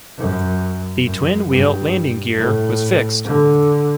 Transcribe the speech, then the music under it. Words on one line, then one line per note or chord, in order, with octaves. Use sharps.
The twin-wheel landing gear was fixed.
F#2
F#2
G2
A2
D3